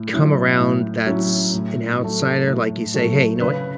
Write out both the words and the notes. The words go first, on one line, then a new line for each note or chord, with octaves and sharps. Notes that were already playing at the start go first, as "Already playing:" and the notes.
come around that's an outsider? Like, you say, "Hey, you know what?
Already playing: A2
F#3 C#4 E4
A2
F#3 C#4 E4
A2
F#3 A3
A2
F#3 A3
C#3 B4